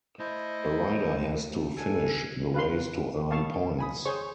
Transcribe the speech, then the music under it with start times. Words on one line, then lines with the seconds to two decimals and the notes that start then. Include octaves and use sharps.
A rider has to finish the race to earn points.
0.19 A3 E4 C5 D#5 A5
1.77 A4 G#5
2.54 B4 F5 C6
3.31 B2 F5 A5 C#6
3.79 G#5 B5 D#6
4.05 G#4 C5 C#5 C#6